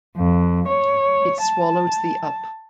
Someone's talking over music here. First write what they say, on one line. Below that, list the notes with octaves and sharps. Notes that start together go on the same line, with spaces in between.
It swallows thee up.
F2
C#5
A5